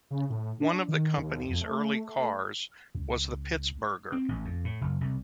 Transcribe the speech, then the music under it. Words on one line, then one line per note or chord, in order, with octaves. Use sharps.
One of the company's early cars was the Pittsburgher.
C#3
A2
D4
D#3
D#2
F2
A3
C#2
C4
A1
F2
A2
F#1
C2